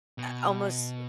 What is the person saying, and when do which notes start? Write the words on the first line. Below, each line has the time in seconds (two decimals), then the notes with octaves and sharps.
uh, almost,
0.18 B2